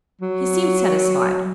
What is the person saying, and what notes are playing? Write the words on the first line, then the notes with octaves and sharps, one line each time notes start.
He seemed satisfied.
F#3